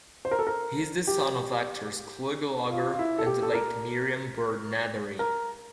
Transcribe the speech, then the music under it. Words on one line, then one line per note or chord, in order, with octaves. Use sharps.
He is the son of actors Clu Gulager and the late Miriam Byrd Nethery.
C5
A#4
A4
A#4
G4
F4
F4
E4
A4
G4
A4
A#4
A#4